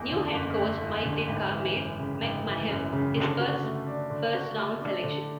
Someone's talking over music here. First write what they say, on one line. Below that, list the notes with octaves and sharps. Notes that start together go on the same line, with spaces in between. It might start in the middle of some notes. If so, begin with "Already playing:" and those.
New head coach Mike Ditka made McMahon his first first-round selection.
Already playing: F#1 E2 A3
D3
F#1
A3
E2
D3
G#1
E3
F#2
C#3
G#1
E3
F#2
C#3
D3
F#4
A3
D4
D3
F#4
A3
D4
D3